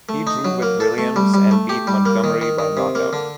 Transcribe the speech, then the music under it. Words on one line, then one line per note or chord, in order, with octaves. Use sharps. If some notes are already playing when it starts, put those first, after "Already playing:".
He drew with Williams, and beat Montgomery by knockout.
A3
D#4
F#3
A#3
A4
A3
G3
G3
A3
G4
G3
A#3
D#3
D#3
D#3
C3
A#3
D3